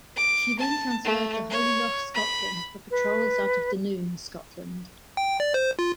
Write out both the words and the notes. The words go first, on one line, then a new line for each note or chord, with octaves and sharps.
She then transferred to Holy Loch, Scotland, for patrols out of Dunoon, Scotland.
D6
A5
A3
C#5
B5
B4
G5
D5
C5
F4